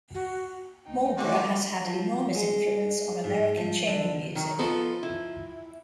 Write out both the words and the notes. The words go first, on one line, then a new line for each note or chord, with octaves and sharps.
Marlboro has had enormous influence on American chamber music.
F#4
D2 D#4 G5
D3 A3 F#4 G4 G#5 A5 C6
F3
G#3
G#2
F3
D3
D#3 F#3
F3 B3 D#4 A4 C5
E4